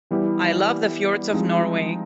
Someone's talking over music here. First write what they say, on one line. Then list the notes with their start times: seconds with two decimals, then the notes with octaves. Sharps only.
I love the fjords of Norway.
0.11 E3 G3 B3 E4 G4
1.33 F3 G#3 C4 D#4